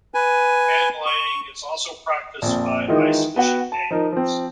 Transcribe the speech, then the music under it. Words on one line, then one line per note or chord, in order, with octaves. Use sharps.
Handlining is also practiced by ice fishing anglers.
B4 G#5
C#6
A#1 F2
D#3 E3 G#3 D#4 F4 A#4
B3 F#4 F#5 G5
A5
F3 D#4 A#4
F3 C4